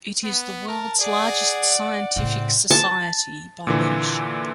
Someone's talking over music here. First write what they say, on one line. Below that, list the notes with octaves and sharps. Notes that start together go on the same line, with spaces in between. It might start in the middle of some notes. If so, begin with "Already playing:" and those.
It is the world's largest scientific society by membership.
B3
A#4 A5
G#4 D5 F#5
A2 C#3 C4
A5
A#2 D3 E3